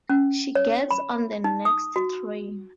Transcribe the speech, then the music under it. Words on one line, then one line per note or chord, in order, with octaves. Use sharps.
She gets on the next train.
C#4
C#5
B5
D#4
D#6
F#4